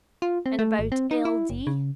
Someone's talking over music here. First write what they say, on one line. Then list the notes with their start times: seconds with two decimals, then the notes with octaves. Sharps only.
"And about L. D.?"
0.22 F4
0.46 C4
0.59 A3
0.79 G#1
0.92 C4
1.11 D#4
1.25 E4
1.50 F#1
1.67 C#3